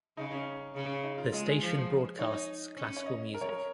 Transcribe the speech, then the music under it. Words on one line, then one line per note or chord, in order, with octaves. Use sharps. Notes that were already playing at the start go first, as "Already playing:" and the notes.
The station broadcasts classical music.
C#3 D#4
C#4
C#3
D#4
F4
G#3 F4
G#4
F3
D#4 C#5
D#5
C#4
C#5
D#5
A#4
C#5
A#4